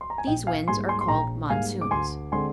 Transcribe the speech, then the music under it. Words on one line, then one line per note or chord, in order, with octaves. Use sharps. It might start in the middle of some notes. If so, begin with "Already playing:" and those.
These winds are called "monsoons."
C6
A#5
G#5
A#1 D#5 G5
F5 G#5
G#2 G3 A#3 G#5 C6
G#5 C6
C6
A#1 G5 A#5
G#2 G3 A#3 F5 G#5
D6
D2 G#5 C6
D3 G#3 C4 G#5 C6